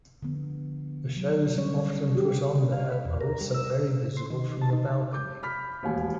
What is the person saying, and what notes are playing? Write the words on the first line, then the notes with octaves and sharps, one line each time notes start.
The shows often put on there are also very visible from the balcony.
D3 F3 B3
F#3
D3 G3 C#4 C#5
F#4 G4
C#3
F5
B4
E2
A#4
G3
E6
C#3
C6
D#3
A5
D#4
D6 G6
B5 F6 B6
E1 D#2 A2 G#5